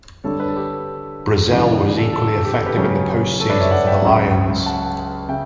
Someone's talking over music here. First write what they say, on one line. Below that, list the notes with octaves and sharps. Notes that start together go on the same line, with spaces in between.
Brazzell was equally effective in the post-season for the Lions.
G2 D3 G3 A4 C#5
B4
A4
G4 B4
D2 C#3 E3 G3 D4
G4
A4
A4
G4
A4
G4 B4
C#3 F#3 C#4
A4 C#5
B4 D5
C#5 E5
D5 F#5
E5 G5
C#2 C#3 F#3
F#5 A5
C#3 E5 G5